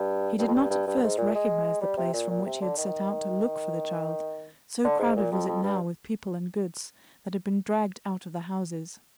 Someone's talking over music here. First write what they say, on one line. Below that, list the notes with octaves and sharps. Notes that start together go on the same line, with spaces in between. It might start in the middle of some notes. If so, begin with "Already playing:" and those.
He did not at first recognize the place from which he had set out to look for the child, so crowded was it now with people and goods that had been dragged out of the houses.
Already playing: G2
G2
F2
G2
G2
G2
G#2
A#2
G#3
G3
C3
A#2
A#2
C3
D3
D#3
D3
G#2
A#2
F2
F2
G2